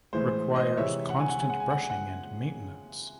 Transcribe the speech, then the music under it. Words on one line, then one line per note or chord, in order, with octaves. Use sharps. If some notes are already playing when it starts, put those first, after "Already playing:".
Requires constant brushing and maintenance.
A2 E3 G#3 C5
C5 D#5
C3 E3 G#3 C#5 E5
F#5
G#5
F#5
C#3 G#3 G#5
F#5
G#5
F#5
G#5
F#5